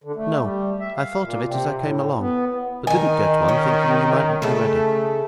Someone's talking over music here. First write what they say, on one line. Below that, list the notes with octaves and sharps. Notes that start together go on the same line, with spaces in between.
'No; I thought of it as I came along; but didn't get one, thinking you mightn't be ready.
D3
A3
G3
E5
F5
A#2
C3
A2
B3
D#3 D#4 G#5
C#4
C#3 A3 A4